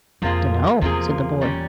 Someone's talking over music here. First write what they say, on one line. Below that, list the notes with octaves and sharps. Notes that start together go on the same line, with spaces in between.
"Dunno," said the boy.
F2 C3 F3 A#3 F4 G#4
E2 C3 F3 A#3 F4 G#4
A#2 G3 C#4